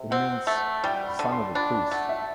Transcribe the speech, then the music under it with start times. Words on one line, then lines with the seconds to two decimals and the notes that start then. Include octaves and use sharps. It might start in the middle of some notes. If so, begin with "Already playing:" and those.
It means "son of a priest".
Already playing: C3
0.11 C4 F#5
0.47 A3
0.84 G3 G5
1.07 B5
1.19 D3
1.32 C6
1.55 D4 B5
1.74 A5
1.91 A3 F#5
2.09 E5